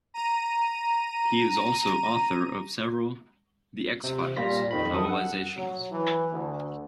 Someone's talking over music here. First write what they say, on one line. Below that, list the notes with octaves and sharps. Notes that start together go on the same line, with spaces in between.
He is also author of several "The X-Files" novelizations.
A#5 D#7
C3
A#2 G3 F4 A#6 B6
F2 D#3 F3 B5
F#2 A4 D#6
F#5
F#3
E3
D2